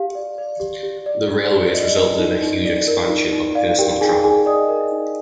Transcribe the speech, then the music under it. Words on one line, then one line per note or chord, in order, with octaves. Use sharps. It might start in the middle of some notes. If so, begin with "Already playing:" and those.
The railways resulted in a huge expansion of personal travel.
Already playing: G4 F5
D5
D5
G4
G4
D5
D5
G4
D5 D#5
A#4
D#4
D#4
D5
A#4
D#4
D#4
D5 F5
F5
G4 A#4 G5
G5
D#4 G#4 G#5
D#4 G#4 G#5
D5 D#5 D#6
A#4
D#4